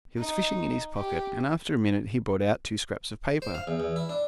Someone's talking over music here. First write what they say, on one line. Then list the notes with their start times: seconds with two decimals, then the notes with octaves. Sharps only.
He was fishing in his pocket, and after a minute he brought out two scraps of paper.
0.18 D#4
0.96 G4
3.42 C5
3.55 F5
3.67 E2
3.80 E2
3.96 E4
4.09 D4